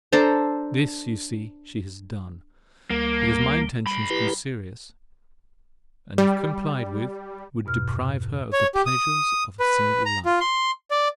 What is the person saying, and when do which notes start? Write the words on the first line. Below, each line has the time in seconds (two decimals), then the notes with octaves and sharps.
This, you see, she has done, because my intentions grew serious, and if complied with, would deprive her of THE PLEASURES OF A SINGLE LIFE!
0.12 D4 A4 C5 A#5
2.90 D2 G3 A#3
3.87 B1 G3 B5
4.10 E4 G4 B4
6.18 G3
7.65 E2 G2 B2 F6
8.53 C#5
8.75 G4
8.86 D#6
9.60 B4
10.06 A#5
10.25 F4
10.41 C6
10.91 D5